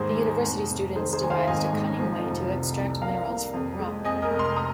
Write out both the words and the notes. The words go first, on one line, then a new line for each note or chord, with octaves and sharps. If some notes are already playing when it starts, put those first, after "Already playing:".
The university students devised a cunning way to extract minerals from rock.
Already playing: D#2 G#2 G#4 C5
G#3
F1
F1
D#3 G#4 C5
G#4 C5
D#2 G#5
C5 F5
G#1 D#5 G#5
G#2
F3
F1
C2
C2
A#3 F5 A#5
A#3
F2
G#3
F2 D#5 G#5
A#4 D#5
F1
C6 F6
C6
A#5 D#6